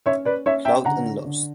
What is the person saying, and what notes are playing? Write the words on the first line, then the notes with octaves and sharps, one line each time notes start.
Cloud and lost.
C#4 C#5 E5
B4 D5
C#4 C#5 E5
E5 G5
D3 F#5 A#5
D3